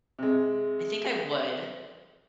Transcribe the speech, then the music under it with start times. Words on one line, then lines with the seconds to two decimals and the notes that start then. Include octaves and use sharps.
I think I would,
0.19 C3 G#3